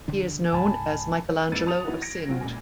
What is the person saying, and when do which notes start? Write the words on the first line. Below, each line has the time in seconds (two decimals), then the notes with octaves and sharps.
He is known as Michelangelo of Sindh.
0.08 E1 D3 D4
0.52 C#2 G#2 C3 G#5 A5 B5
1.52 F2 G#2 E3 A6 C#7 D#7
1.66 A5 D#6 F7
1.85 E3 D#4 E4 F#4
2.02 G#6 A#6 D7
2.28 F#3 C4 C#4 F4 F#4
2.41 C#2 A#2 G#5